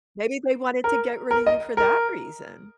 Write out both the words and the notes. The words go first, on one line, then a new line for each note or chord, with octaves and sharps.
Maybe they wanted to get rid of you for that reason.
A#4
A#4
D#5
A#4